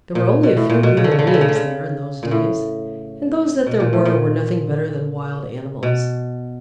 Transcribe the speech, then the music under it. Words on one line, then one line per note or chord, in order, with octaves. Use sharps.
There were only a few human beings there in those days, and those that there were were nothing better than wild animals.
A#2
B2
A2
A#2
B2
C#3
D3
C#3
D3
C#3
D3
C#3
D3
C#3
A#2
A2
B2
A#2
A2
A#2
B2